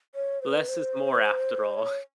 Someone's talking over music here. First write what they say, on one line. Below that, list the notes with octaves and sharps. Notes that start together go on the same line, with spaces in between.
Less is more after all.
C#5
C5
B4
C5
C#5